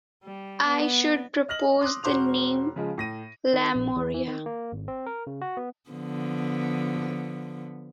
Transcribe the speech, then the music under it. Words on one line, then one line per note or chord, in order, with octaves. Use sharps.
I should propose the name Lemuria!
G3
B3
D#5 F6 A#6 F#7
C6 D6 D#6 F#6
E1 F#4 C5 C6 D6 F7
C#3 F3 G#3
A2 A#6 D#7
D#3
A#1
E2
E3
D#3
A#3
G#1
C4
A#4
C#3
F#4
B3
D3 F3 B3